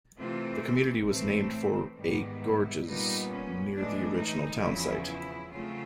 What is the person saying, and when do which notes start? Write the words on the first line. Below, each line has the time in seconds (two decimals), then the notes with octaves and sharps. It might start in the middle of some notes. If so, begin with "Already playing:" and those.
The community was named for a gorges near the original town site.
0.18 C3 E3 A3 C4 F4
1.06 A2 E3 A3 C4
1.96 G#2 D#3 G3 B3
2.40 E4
2.85 A#2 G3 B3 D#4
3.29 C#4
3.73 A2 E3 G#3 D4
4.19 D#4
4.62 E2 C#3 F3 E4
5.07 E4
5.51 C#3 F#3 A3 C4 F4